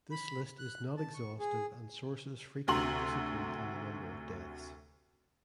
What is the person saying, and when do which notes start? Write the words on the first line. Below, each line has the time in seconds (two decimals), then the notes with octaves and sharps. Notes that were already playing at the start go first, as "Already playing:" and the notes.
This list is not exhaustive and sources frequently disagree on the number of deaths.
0.11 B5
0.59 F#6
0.97 A5
1.14 C#6
1.39 G#4
2.68 D2 C3 F#4 A#5 C6 F#7